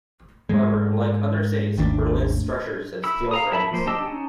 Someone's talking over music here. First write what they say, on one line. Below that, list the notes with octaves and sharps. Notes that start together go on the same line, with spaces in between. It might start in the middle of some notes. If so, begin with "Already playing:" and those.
However, unlike other cities, Berlin's structures had steel frames.
G#2 G#3
G#1 D#2 A3 D4
E4 B5 E6
F5 A#5 D#6
E4 E5 A5 B5
F3 A#3 C5
D4 G4 D#5 A5 E6
C#4 D#4 A5